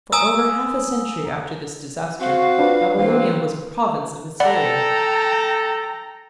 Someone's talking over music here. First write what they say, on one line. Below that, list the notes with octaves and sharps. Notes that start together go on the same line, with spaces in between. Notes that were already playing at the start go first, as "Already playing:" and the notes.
For over half a century after this disaster Babylonia was a province of Assyria.
G#5 A#5 D#6 E6
C4 F#4 F5
D4 F4 B4
E3 A#3 C4
A4 D5 F#5 G5 A#5 B5